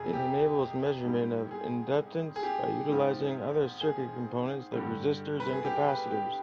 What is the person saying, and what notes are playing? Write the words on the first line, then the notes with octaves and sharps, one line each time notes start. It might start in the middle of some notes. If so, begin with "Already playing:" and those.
It enables measurement of inductance by utilizing other circuit components like resistors and capacitors.
Already playing: F2 C3 G#4
G4
G#2 G3
G#4
G#4
G4
G#2 F3
G#4
G2 D3 G3
B4
G#4
G4
B4
G4